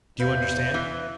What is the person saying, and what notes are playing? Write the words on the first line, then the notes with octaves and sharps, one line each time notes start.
Do you understand?
E2 B4 E5 F5 G6
E3